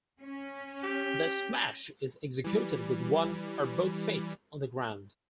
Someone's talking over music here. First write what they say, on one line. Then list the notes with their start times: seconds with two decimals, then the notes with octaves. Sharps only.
The smash is executed with one or both feet on the ground.
0.22 C#4
0.84 G4
2.44 E3 G3